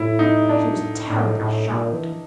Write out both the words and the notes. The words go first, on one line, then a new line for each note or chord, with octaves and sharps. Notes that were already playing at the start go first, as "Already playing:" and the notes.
She was terribly shocked.
Already playing: A2 E4
D#4
D4
A#2
A2
A2
A2
A#2
E3